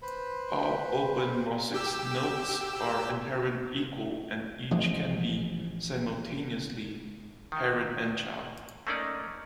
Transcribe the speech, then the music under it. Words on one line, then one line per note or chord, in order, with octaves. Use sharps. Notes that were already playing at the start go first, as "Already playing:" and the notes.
All openMosix nodes are inherently equal and each can be, simultaneously, parent and child.
B4 C5 B5
G4 E6
A1 F3 G#3
D#3
A3 A#3 C#4 D#4 D5